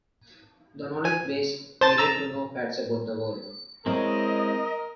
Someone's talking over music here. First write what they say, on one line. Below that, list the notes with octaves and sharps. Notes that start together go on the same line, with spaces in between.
The knowledge-base needed to know facts about the world.
G#5
C5 A5 A6
A#5 E6 A6
G#3 C4 E4 A#4 C#5 D#5